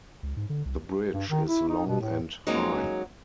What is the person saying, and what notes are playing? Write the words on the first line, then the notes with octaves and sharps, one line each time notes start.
The bridge is long and high.
C#2
G#2
D3
C2
G2
D#3
E4
D#4
B2
A2
F#3 G#3 A#3 C#4 D#4